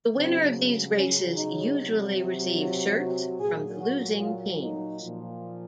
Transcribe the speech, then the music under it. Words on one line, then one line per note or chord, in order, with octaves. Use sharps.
The winner of these races usually receive shirts from the losing teams.
C#3 F#3 C4
C#4
D#4
C3 F#3
F4
F#4
A#2 F#3 G#4
F#4
F4
D#4
A#2 F3